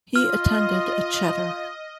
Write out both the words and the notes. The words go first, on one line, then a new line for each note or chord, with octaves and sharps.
He attended a cheder.
F4 D#5 F6